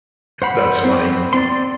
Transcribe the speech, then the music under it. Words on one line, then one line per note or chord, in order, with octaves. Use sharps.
That's funny.
C5 F#5 B5
C4
C4 D5 C6